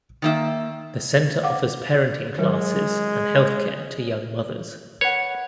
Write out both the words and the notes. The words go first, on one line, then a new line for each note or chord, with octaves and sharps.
The centre offers parenting classes and health care to young mothers.
D#3 A#3 E5
F5 F#5 D6
D#3 F#3 G#3 A#4
B4 C#5 F#5